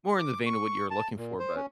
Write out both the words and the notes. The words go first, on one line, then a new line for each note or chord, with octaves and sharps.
more in the vein of what you're looking for, but,
D6
C#6
A5
A#2
C5
C#4